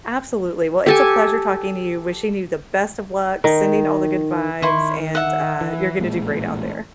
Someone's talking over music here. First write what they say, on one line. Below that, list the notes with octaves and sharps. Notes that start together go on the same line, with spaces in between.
Absolutely, well, it's a pleasure talking to you, wishing you the best of luck, sending all the good vibes, and, uh, you're gonna do great out there.
G4 A4 G#5
D#3
D#3 E4 C6 C#6
E5 F#5
E3
A1 A#2 G#3